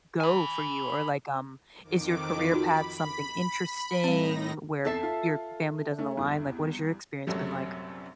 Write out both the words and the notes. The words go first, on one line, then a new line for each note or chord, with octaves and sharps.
go for you? Or, like, um, is your career path something interesting where p your family doesn't align? Like, what has your experience been like?
G#5 B5
F2 D#3 D6
D#4 F4 F#4 B5
A2 G3 C4 D#4 A#6
E2 C4 A4 E5 A5 C7
F4
A3 C#4
E2 G2
A#1 F#2 C3 F#3 G3 A3